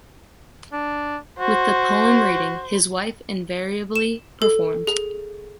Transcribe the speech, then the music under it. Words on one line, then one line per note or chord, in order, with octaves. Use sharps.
With the poem reading, his wife invariably performed.
D4
F#4 C5
E7
A4
G#4